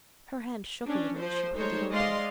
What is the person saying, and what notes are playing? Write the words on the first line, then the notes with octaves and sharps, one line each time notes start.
Her hand shook a little as she pulled it open.
C#4 D4
F3 C5
G#3 A3 D#4 C5 C#5
G#3 D5 D#5 F5 C6